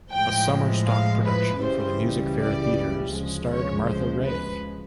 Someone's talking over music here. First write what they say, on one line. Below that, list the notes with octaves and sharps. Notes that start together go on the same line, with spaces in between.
A summer stock production for the Music Fair theatres starred Martha Raye.
A2 F3 G#3 G5
F5
B4
C#2 C#3 E3 G3 C5
D5
D2 C#3 F3 G#3
C#5
C5
B4